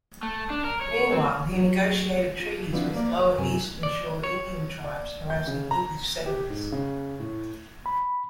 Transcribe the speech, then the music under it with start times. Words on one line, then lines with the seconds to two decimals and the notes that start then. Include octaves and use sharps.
Meanwhile, he negotiated treaties with Lower Eastern Shore Indian tribes harassing English settlers.
0.23 A3
0.50 D4
0.64 A#4
0.81 C#5
1.12 C4
1.56 F#3
2.40 F4
2.72 E3 F3 C4 D4 E4 F#4
2.94 A#3 D5
3.19 B4
3.38 F#2 C3 G#5
3.83 D5
4.24 C#5
4.84 D5
5.30 G6
5.47 C#3
5.71 A#5
6.26 G4
6.50 G#2
6.72 C#3
7.20 A2
7.86 B5